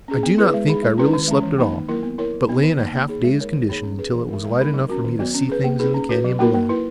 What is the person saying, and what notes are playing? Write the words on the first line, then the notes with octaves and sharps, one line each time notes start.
I do not think I really slept at all, but lay in a half-dazed condition until it was light enough for me to see things in the canyon below.
C#4 G#4
B3
E4 G#4 B4
G#3
D#4 G#4
G#3
C#4 E4 B4
D#3
G#3 C#4
E3
A#3 D#4
D#3
F#3 A#3 E4 A#4
B3
E4 A#4 C#5
F#3
B3 D#4
D#3
A#3 D#4
A#3
D#4 G#4 C#5
G#3
D#4 A#4 C#5
D#3
A#3 D#4 G#4 C#5
C#4
G#4 B4
E3
G#3 D#4 A#4
G#3
B3 D#4 A#4
F#3
C#4 F#4 A#4
D#3
F#3 B3 F#4 C#5
C#4
G#4 B4
A#3
D#4 G#4 B4
C#4
F#4 B4
F#3
A#3 D#4 F#4 A#4
A#3
E4 B4